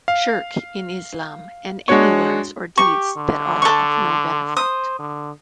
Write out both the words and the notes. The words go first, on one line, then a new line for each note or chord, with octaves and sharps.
Shirk in Islam, and any words or deeds that are of no benefit.
F5
G#3 D4 F#4 C#5 C#6
G4 C#6
D3
A4 C#6
C5 D#6
D3